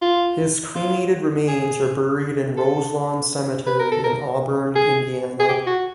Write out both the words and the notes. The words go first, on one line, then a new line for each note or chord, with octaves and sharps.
His cremated remains are buried in Roselawn Cemetery in Auburn, Indiana.
F4
F4
G#4
A4
B4
A#4
A4
A#4
G#4
G#4
G4
F#4